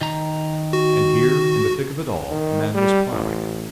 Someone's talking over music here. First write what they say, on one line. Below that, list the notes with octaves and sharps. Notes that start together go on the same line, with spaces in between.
And here, in the thick of it all, a man was ploughing.
D#3 A#5
F#4
D#3
G3
A1